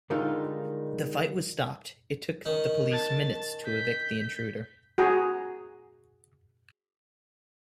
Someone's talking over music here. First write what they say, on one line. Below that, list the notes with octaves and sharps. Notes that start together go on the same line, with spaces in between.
The fight was stopped, it took the police minutes to evict the intruder.
D3 D#3 G3 G#3 D#4 F4
D#3 C#4 D#4
A5 A6
G6 B6
F#4 G#4 A#5